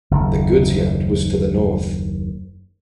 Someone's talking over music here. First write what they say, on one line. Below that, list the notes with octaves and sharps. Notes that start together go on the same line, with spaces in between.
The goods yard was to the north.
F#1 D#2